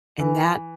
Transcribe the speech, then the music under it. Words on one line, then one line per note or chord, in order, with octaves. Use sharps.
And that
E3